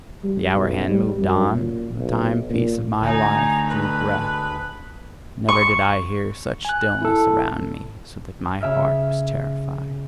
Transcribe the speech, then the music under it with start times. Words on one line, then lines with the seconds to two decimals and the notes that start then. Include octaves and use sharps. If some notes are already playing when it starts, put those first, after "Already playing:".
The hour-hand moved on, the timepiece of my life drew breath--never did I hear such stillness around me, so that my heart was terrified.
0.24 G3
0.55 B1
0.89 G3
1.21 F#2
1.54 A#2
1.99 B1
2.49 A#2
3.02 D2 D#4 G#5 A#5
3.68 G#3 A4 B4 B5
5.49 C#6
6.65 G#5 F#6
7.02 E4 A4
8.61 C#3 E5 F6